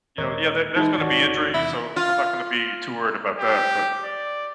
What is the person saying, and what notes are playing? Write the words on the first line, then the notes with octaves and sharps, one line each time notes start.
You know, yeah, there there's gonna be injuries, so I'm not gonna be too worried about that. But
D#2 A#2 G#3 A#4 C#5 D#5
E3 G#3 D#4 E4
G#1 D#2 F#4 C#5 D5
E2 C3 D#3 E4
F4
G4
D5